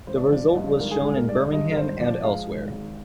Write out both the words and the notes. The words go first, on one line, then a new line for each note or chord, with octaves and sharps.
The result was shown in Birmingham and elsewhere.
G#1 C5
D5
C5
F3 D5
G2 D#5
D5
G#1 A#4
G#4
G#3 G#4
A#4
G2 D5
D5
G2 D#5
A#4
G#1 C5
F3 D5
G#3 F5
G#1
G#1